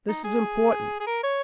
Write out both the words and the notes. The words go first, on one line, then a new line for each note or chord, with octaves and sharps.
This is important.
D#4
G#4
G#4
A#4
C#5